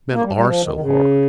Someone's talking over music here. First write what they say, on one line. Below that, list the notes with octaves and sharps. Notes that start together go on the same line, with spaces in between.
Men are so hard!
A#3
G3
G3
F3
D#3
D#3
C#3